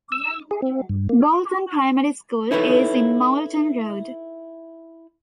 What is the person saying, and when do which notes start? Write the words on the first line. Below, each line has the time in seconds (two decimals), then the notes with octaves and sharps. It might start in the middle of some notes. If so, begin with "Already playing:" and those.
Boughton Primary School is in Moulton Road.
0.12 E6
0.51 G#4
0.62 C4
0.89 G2
1.09 A#3
2.51 D#4 E4 A4 B4 C#5